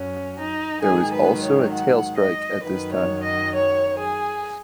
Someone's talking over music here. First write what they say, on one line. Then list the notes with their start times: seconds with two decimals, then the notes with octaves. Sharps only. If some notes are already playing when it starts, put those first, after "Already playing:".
There was also a tail strike at this time.
Already playing: F#2 F#3 C#4
0.38 D#4
0.82 G#2 D#3 F#3 G#4
1.13 B4
1.43 C#5
1.72 F#5
2.18 D#5
2.62 F#2 D#3 F#3 B4
2.93 C#5
3.22 D#5
3.53 C#5
3.98 G#4